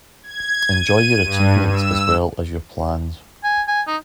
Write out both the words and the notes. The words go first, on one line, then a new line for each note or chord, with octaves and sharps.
Enjoy your achievements as well as your plans.
G#6
D#7
G2
E6
G#5
G#5
D#4